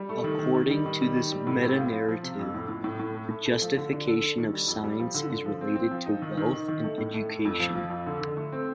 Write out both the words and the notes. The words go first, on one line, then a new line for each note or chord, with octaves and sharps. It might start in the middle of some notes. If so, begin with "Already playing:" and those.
According to this metanarrative, the justification of science is related to wealth and education.
Already playing: G3
A3
D#3
D#3
D#3
G3
D#3
G3
D#3
G3
A2
C4
F4
F3
F3
C3
F2
A2
A2
A2
A2
A3
A3
A3
F3
D3
D4
A4
D4
D#3
G3
F2
G3
F3
D3
D3
F3
C4
C4
F3
D#4
D#3
D#3
D#3
D#3
A3
A2
A3
A3
F2
F3
F3
F2
D3
D3
A3
C4